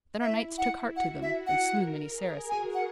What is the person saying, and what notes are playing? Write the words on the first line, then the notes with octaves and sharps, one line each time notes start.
Then our knights took heart to them, and slew many Saracens.
E4 E5
F#5
F#4 F#5
E5
F#5
A#4
G#4
F#4 G#5
F#5